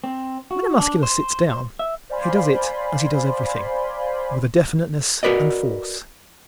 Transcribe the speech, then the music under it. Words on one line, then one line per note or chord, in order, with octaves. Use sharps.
When a Muscular sits down he does it as he does everything--with definiteness and force.
C4
F#4
D4
C5
E5
C5 D5 F5 G#5 B5 C6
F#4 A#4 B4 D5 D#5